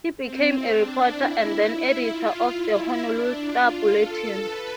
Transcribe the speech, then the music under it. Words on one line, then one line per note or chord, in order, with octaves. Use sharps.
He became a reporter and then editor of the "Honolulu Star-Bulletin".
C4
D4
E4
E4
F4
E4
D4
F4
A4
B4